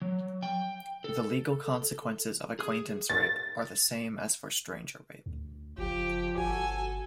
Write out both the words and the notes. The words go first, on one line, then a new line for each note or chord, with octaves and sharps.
The legal consequences of acquaintance rape are the same as for stranger rape.
F#3
G5
A4
G#4
A6
D2
F#1 F3 G4
G1 F#4 A4 G#5